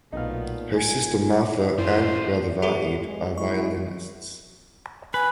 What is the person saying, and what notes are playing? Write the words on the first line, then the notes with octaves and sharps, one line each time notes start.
Her sister Martha and brother Vahid are violinists.
B1 A#2 A3 B3 D#4 F5
G1 A#2 G#5
F#2 A2 E4 F4 C5
E2 A#2 G4 A4 B4
G#3
G#2 G#3 E4 C#6
B4 G#5